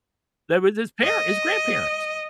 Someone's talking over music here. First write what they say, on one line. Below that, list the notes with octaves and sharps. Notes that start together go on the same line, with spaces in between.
That was his parent his grandparents.
D#5